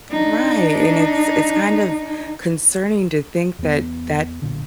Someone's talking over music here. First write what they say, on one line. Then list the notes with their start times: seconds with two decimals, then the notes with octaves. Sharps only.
Right, and it's it's kind of concerning to think that that
0.11 D4 D#4
3.59 E2 B3
4.42 B1 A#2 D3